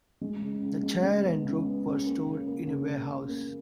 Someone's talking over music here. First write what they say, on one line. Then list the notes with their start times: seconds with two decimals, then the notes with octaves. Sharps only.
The chair and rope were stored in a ware- house.
0.21 G#3
0.42 C#3
0.62 C#3
0.83 G#3
1.03 G#3
1.24 B3
1.45 C#3
1.65 B3
1.86 C#3
2.06 A#3
2.26 C#3
2.47 A#3
2.67 C#3
2.88 C#3
3.08 C#3
3.29 A#3